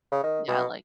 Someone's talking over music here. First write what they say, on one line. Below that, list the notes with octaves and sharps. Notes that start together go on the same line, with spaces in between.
Yeah, like
C#3
D#3
B2